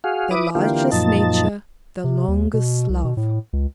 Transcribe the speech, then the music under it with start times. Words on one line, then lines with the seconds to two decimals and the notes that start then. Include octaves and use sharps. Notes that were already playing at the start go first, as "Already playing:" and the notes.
The Largest Nature, the Longest Love.
0.04 F#4 G#4 F5
0.31 E4 B4 D6 D#6
0.55 D3 E3 A#3 F4 G4
0.92 F#2 A#2 F3 D#4 A5
2.04 C3
2.28 D#2
2.54 B2
2.89 C2
3.04 B2
3.17 A2
3.53 C#2